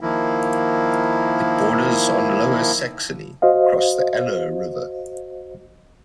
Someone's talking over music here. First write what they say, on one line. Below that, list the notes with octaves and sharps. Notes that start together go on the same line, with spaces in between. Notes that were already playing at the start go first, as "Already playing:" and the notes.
It borders on Lower Saxony, across the Aller river.
D#3 F3 A#3 E4
F#4 C5 D#5 F5